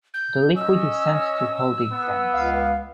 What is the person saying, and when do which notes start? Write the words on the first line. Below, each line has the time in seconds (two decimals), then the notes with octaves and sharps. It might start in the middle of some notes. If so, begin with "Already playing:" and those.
The liquid is sent to holding tanks.
0.14 G6
0.56 C#4 D#5 E6
1.91 B3
2.34 C#2 F5